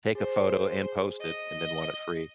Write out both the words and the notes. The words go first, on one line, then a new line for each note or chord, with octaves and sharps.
Take a photo and post it, and then want it free.
G#4 C5
D#5